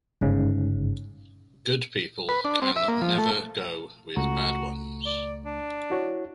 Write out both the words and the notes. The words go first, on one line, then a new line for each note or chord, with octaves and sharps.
Good people can never go with bad ones.
G1 G#2 C#3
B4
D4
C4
E5
A#3
F3
A3
C#2 A3 F#4 A#5
D5
D4
E4 F#4 C#5